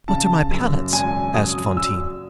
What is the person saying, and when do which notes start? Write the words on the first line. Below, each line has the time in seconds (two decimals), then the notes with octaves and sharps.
"What are my palettes?" asked Fantine.
0.08 C#3 A5
0.51 F#2
0.93 G#1 G#5
1.34 F#3 D#6
1.76 F#3 E6